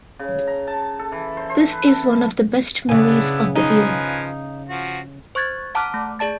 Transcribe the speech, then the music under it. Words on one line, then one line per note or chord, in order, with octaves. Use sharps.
This is one of the best movies of the year.
C#3
A#5
A5
A4
E3
C5
C5
B4
A4
C#3 B3 D4 E4 G#4
F3 D#4 B4 G#5
F3 F#4
C5 C#6 F#6 G#6 A6
F#5 A5 A#5 D6 F6 F#6
A3
G#4 D5 A5 A6